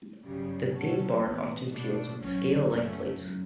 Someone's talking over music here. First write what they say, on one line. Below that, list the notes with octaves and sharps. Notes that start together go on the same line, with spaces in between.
The thin bark often peels with scale-like plates.
G1 F#2 C#3 G3
B2 F#3 C#4 F#4 A4
A1 A2 E3 B3
B2 A3 D4
A1 A2 F#3 C#4
F#2 C#3 F#3 A3 C#4
F#2